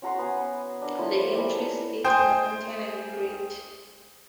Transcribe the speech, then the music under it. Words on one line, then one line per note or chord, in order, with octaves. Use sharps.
The entry states Makaton, n. Brit.
C#4 F#4 A#5 C6
B3 G#5
D4 A#4
F3 E4 B4 C#5
G3 G#4 A4 A#5
C5 G5 G#5 D#6 G6